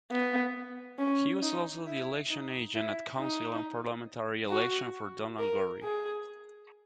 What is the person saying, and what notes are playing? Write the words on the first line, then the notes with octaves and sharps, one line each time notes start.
He was also the election agent at council and parliamentary elections for Donald Gorrie.
B3
C#4
D#4
E4
D#4
E4
D#4
F#4
A#4
G#4